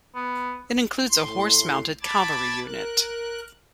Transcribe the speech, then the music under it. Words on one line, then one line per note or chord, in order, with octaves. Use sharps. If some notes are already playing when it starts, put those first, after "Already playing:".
It includes a horse mounted cavalry unit.
B3
A2 C6
A5 B5 D6 G#6 A6
A#4 F#6